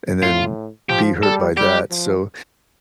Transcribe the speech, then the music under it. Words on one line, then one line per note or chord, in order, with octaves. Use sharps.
and then be hurt by that, so,
A2 F4
F3 G4
G3 A4
G3 G4
F3